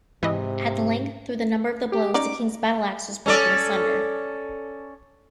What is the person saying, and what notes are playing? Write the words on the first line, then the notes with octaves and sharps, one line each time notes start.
At length through the number of the blows, the king's battle-axe was broken asunder.
G#2 C3 E3 D#5
G4
C#4 D#4 D5 D6
C#4 A4 D5